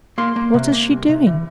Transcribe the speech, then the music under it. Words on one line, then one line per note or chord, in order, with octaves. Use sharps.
"What is she doing?"
A#3 C6
A#3
C3
A#3
C2
C3
E3